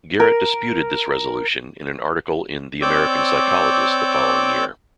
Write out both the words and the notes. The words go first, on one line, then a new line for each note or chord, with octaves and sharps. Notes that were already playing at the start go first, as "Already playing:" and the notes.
Garrett disputed this resolution in an article in "The American Psychologist" the following year.
A#4
C4 C#5 D5 D6 E6 G6